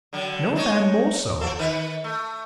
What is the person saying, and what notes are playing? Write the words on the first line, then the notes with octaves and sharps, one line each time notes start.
"No man more so."
D3 F#3
D4 D#4 C#5
F3 A4
D#3 B4
A3